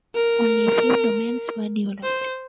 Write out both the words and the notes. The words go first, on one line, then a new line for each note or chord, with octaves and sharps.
Only a few domains were developed.
A#4
C5